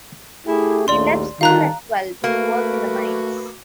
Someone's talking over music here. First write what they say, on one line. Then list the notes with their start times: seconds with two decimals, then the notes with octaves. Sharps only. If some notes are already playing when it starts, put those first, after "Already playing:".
He left school at twelve to work in the mines.
0.47 A3 E4 G4 G#4
0.88 A#1 D#2 A3 D5 C6
1.41 D3 D#3 G3 F5 A5 A#5 F#6
2.24 A3 A#3 F#4 B4